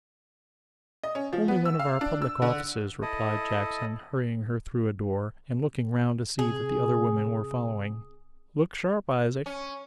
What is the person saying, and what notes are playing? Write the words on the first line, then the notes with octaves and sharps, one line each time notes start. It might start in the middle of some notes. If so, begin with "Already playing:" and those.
'Only one of our public offices,' replied Jackson, hurrying her through a door, and looking round to see that the other women were following. 'Look sharp, Isaac!'
D#5
C#4
F3
B3
E6
F5
D4
E6
D3
E4 A4 D#5
C3 G#4
C#4